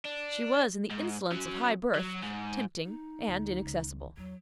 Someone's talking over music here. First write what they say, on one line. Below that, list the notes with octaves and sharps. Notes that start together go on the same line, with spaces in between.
She was, in the insolence of high birth, tempting and inaccessible.
D4
G#2
F#3 C#4
F#3
G#2
D#4
D2
C#2 D#3
E2 F#3